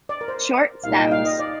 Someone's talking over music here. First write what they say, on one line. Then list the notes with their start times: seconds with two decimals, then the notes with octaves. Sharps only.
Short stems.
0.09 D5
0.21 A#4
0.28 C5
0.83 C2 A#2 G3 A#3 D#4 F5
0.98 G5
1.11 F5
1.25 D#5
1.39 D5